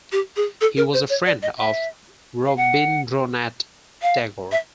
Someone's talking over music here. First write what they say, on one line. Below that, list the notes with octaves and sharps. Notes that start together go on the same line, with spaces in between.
He was a friend of Rabindranath Tagore.
G4
G#4
A4
A#4
C5
C#5
D5
D#5
E5
F5
F#5
F5
E5